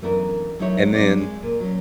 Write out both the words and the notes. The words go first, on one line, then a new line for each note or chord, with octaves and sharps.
and then,
F#2 E3 A3 B3 D4 A#4
F#3 A3 D#4 E4 C#5
G#2 F#3 C4 D5
G#3
A#2
F#3 C#4